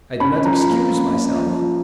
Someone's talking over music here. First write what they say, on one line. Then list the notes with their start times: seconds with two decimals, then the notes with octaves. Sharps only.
I do not excuse myself.
0.20 C#4 B5
0.45 F3 A#5
0.70 A#3
0.95 C#4
1.21 F3
1.45 F3